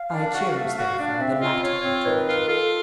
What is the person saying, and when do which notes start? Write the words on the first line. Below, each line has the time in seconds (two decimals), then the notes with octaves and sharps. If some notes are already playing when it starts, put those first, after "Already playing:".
I chose, therefore, the latter alternative.
Already playing: F5
0.13 D4
0.34 F#4
0.56 A3
0.78 F#4
0.99 D4
1.20 C4 E5
1.41 F4 D#5
1.62 F4 C#5
1.84 C4 C#5
2.05 D#3 B4
2.27 F4
2.48 F4 A4